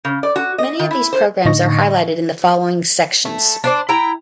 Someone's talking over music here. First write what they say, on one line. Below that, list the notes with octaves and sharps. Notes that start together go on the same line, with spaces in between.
Many of these programs are highlighted in the following sections.
C#3
D5
F#4
D#5
D#3
E4
C5
A2 D3 D#4 D#5 C#6 A#6
A3
D4 C5 D5
E4 G5 A#5